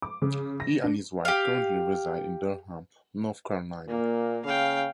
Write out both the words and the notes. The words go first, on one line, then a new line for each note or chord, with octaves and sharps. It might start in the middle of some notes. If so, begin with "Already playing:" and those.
He and his wife currently reside in Durham, North Carolina.
D6
C#3
A#6
D4
G4 F5
A#2 A#3
C#3 F5 G5